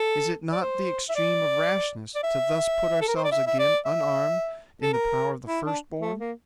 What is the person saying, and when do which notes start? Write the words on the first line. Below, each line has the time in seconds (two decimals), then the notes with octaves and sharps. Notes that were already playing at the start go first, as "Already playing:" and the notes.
"Is it not the extreme of rashness to thus put ourselves again, unarmed, in the power of the First Born?"
Already playing: A4
0.52 D5
0.62 C5
1.10 E5
1.16 D5
2.15 D5
2.23 E5
3.01 A4
3.08 A#4
3.16 C5
3.24 D5
3.32 E5
3.47 E5
3.59 D5
3.86 E5
4.82 A4
4.93 A#4
5.48 E4
5.65 D4
6.01 A3
6.20 A#3